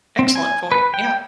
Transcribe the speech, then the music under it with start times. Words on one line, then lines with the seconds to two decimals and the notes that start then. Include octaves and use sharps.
Excellent point, yeah.
0.19 C4
0.36 G#5
0.72 B4
0.94 G5